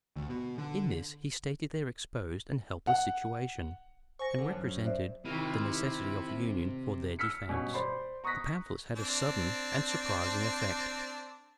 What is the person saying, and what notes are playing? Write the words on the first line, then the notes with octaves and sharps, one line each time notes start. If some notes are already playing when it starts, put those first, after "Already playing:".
In this he stated their exposed and helpless situation, and represented the necessity of union for their defence. The pamphlet had a sudden and surprising effect.
D2
B2
D3
F#5
C5 G#5 C#6 A#6
D3
F#2
C5 D5 E5
C3 D#3 E4 F4 A#4
E6 F6 B6 C#7
G2 B2 C#4
C5 D5 B5 C6
A#5 C#6 D#6 F#6 A#6 B6
C4 D4